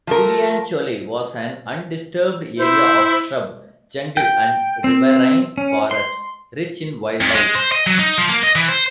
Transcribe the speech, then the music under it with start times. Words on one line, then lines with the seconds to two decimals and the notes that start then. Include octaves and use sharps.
Puliancholai was an undisturbed area of shrub jungle and riverine forests rich in wildlife.
0.07 F3 A3 A#4
2.59 E4 C5
4.17 G5
4.84 C4
5.58 C#4
5.91 C6
7.21 F2
7.35 G#3
7.55 C5
7.72 D#5
7.87 F#3
7.99 D#4
8.18 F3
8.29 A#3
8.43 D#5
8.55 E3
8.68 C5